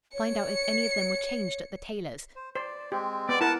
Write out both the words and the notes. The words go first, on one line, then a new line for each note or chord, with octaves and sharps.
Find out if any of them were changed at the tailor's.
C#5 C#7
C5
C5 D5
G#3 C4 G4
B3 D5
E4 A#4 F#5 A5